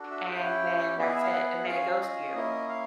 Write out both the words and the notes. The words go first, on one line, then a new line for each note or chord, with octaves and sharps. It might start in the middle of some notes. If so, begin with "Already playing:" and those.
and then that's it, and they ghost you.
Already playing: D4 F#4 A4
E5
C#4 E4 G4 F#5
F#5
G5
B3 E4 G#4 D5
D#5
E5
F5
F#5
C#4 F4 G#4 F5
D#5
A#3 C#4 E4 D#5
F5